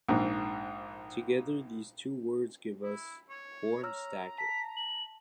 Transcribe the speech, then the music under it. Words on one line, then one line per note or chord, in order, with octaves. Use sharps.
Together these two words give us "Horn Stacket".
A#1 G#2
E4
C#5
C#5 A#5 E6 F6
A5 B6
F#7